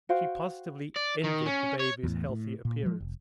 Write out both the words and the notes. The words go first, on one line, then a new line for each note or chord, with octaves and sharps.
She positively envied the baby's healthy appearance.
F#4 C5 F5 G5
D5
D#3
C#4
C#5
E2 A2
A2
A#2
F3 F#3 G#3
F1